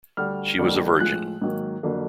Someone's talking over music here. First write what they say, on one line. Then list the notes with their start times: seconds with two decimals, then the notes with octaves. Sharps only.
She was a virgin.
0.17 D2 D3 G3 F6
0.59 F2 D3 G3 A#3
1.00 A2 F3 G#3 F#6
1.42 G#2 D#3 F#3 A#3
1.83 F2 D3 F#3 A#3